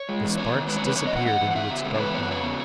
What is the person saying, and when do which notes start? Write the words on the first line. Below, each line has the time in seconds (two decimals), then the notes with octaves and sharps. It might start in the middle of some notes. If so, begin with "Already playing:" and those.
The sparks disappeared into its dark maw.
Already playing: C#5
0.09 G#3
0.24 E2
0.38 B3 C#5
0.52 D#3
0.67 G#3 B4
0.77 C#5
0.82 E2 B4
0.96 B3 C#5
1.07 D#5
1.11 D#3 F#5
1.26 G#3 F#5
1.40 E2
1.51 F#5
1.55 B3 E5
1.70 C#3
1.84 G#3 A4
1.94 C#5
1.99 E2 B4
2.14 B3 C#5
2.23 B4
2.29 C#3 C#5
2.44 B3